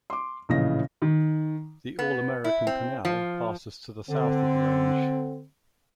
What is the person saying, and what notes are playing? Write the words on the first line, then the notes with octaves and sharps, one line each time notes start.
The All American Canal passes to the south of the range.
C6 D6
A#1 A2 C#3 E3 D#5 A#6
D#3
B3
E4
C4
F3
D3 C4